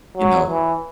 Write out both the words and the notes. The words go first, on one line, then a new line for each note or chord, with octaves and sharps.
you know,
F#3
E3